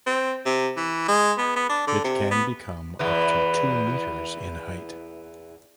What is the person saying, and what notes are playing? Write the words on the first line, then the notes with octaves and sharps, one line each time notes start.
It can become up to two metres in height.
C4
C3
E3
G#3
B3
B3
D4
D3
C3
B3
E2 E3 B3